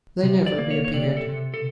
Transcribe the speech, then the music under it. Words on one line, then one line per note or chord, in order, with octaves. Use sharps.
They never reappeared.
C3
D5
A#3
C#5
C#5
C3 D5
A4
C3
A4